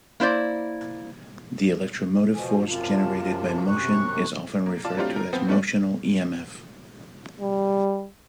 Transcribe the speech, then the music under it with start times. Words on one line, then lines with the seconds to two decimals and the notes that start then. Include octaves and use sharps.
The electromotive force generated by motion is often referred to as "motional emf".
0.20 A#3 E4 C5 D5
2.35 B2 F3 G#5
2.66 F#2 C3 F4 A5
3.67 C#6 F#6
4.66 A#3
4.84 F4 D5 A5
4.97 F#3 G3 A3 C4 D4 F4
5.16 A#4
5.33 F3 B3 C4
5.47 G3 A3 C#4 D4
7.40 G3